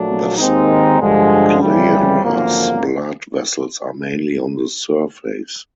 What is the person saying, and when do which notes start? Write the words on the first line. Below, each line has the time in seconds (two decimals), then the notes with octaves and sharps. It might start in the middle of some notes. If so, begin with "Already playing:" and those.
The sclera's blood vessels are mainly on the surface.
Already playing: A#1 A#2 F#3 A3 D4
0.37 D#2 D#3 G#3 C4 D#4
0.99 G2 D3 F3 G#3
1.60 G1 F2 C#3 E3 G3
2.22 G#1 F#2 D3 F3 A#3